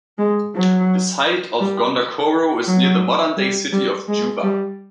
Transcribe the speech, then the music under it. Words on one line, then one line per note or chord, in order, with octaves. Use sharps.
The site of Gondokoro is near to the modern-day city of Juba.
G#3
F#3
G3
F#3
G3
G3
G#3
G3